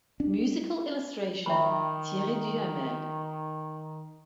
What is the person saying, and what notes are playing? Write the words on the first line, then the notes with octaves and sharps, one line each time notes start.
Musical illustration: Thierry Duhamel.
D4
D#3 E5 G5 B5